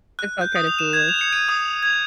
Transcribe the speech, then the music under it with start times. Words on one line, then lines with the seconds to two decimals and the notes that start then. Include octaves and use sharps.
It felt kind of foolish.
0.19 F#6
0.41 G6
0.55 D#6
0.67 F7
0.79 E7
0.93 G#6
1.09 F7
1.21 C#7
1.33 D#7
1.49 D#6
1.83 G#6